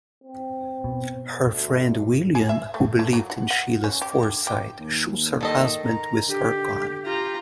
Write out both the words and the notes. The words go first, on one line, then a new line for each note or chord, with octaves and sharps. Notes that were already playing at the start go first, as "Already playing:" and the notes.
Her friend William, who believed in Sheila's foresight, shoots her husband with her gun.
C4
B2
D2
G#4
E5
A3
A3
F#3
F#5
F#5
C#4
G4
D3
G4
D#2
D#3 A4 D#5
A#5
D3 G4
F4 G4 A#5